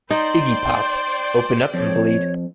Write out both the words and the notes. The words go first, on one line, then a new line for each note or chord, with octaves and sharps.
Iggy Pop: Open up and bleed.
D#4 C5 D5 G5 C6
F2 C#5